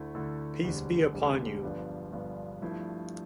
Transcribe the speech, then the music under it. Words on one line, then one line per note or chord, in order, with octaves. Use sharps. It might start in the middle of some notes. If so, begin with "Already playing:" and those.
Peace be upon you.
Already playing: D2 D3 A3 E4 A4
D2 D3 A3 E4 A4
E1 D2 D3 G3
E1 D2 D3 G3
G1 G2 F3 B3 D4
G1 G2 F3 B3 D4
G2 F3 A3 E4